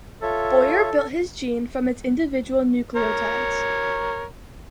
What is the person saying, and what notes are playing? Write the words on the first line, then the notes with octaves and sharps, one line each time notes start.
Boyer built his gene from its individual nucleotides.
F4 A4 C#5 E5
A#4 C#5